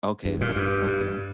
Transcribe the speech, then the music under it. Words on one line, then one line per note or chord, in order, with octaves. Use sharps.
Okay, then that's okay.
G2
A#2
G2
G2